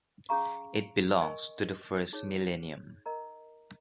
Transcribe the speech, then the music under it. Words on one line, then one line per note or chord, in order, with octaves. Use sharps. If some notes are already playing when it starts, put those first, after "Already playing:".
It belongs to the first millennium.
C#4 G#4 F5 A#5 C#6
A#4 D#5 G#5 C#6
D#4 G#4 C#5
A#4 D#5 A#5